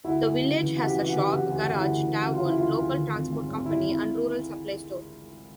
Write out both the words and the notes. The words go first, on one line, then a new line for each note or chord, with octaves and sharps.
The village has a shop, garage, tavern, local transport company and rural supply store.
D2 E4 F#4
D2
C#3
E3
C#3 F#4
G4
F#4
E3 G4
F#4
E3 G4
F#4
G4
E3 F#4
G4
D2 F#4
G4
F#4
D2 G4
E4 F#4
D2
E3
C#3 F#4
F4
C#3
E4
D2 F4
D2
D#3
G#1
G#2
G#1
G#1 E4
G#1
E4